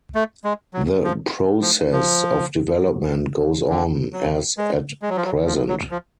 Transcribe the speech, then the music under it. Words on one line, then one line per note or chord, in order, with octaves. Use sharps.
The process of development goes on as at present.
A3
G#3
F#3
F3
F3
F3
D3
F#3
G#3
G#3
F#3
F3
F#3
F3
F#3
F3